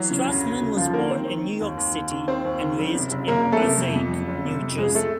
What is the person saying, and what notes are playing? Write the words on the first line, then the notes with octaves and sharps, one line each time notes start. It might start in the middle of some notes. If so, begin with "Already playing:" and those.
Strassman was born in New York City and raised in Passaic, New Jersey.
Already playing: E3 F#3 F#4
C#3
D2
D2
C#3
D#2 F3 F4
D#3 A#3 A#4
D#3 C4 C5
D#3
D#3
D#2
D#2
D#2
D#3
D#2 C4 C5
D#2
D#3
F#1
C3
F#1
F#1 A#3 A#4
F#1
A3 A4
C3
F2
F2
F#1
F#1
C3
F2
C#2 G#3 G#4
A3 A4